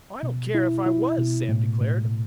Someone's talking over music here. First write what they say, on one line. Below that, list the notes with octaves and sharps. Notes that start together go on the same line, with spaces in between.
"I don't care if I was," Sam declared.
B2
E4
E4
B2
A2
A2